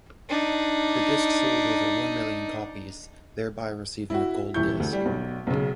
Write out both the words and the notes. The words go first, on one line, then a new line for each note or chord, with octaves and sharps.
This disc sold over one million copies, thereby receiving a gold disc.
D4 D#4
E4 F#4
D#1 E3 E4 C#6 G6
D2
G3
B1
B1 C#3